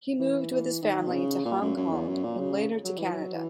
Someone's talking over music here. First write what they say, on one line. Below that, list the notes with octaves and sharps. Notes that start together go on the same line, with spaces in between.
He moved with his family to Hong Kong and later to Canada.
E3
E3
D#3
B2
C#3
A#2
F#2
F#2
E2
F#2
A#2
C#3
F#3
E3
F#3
E3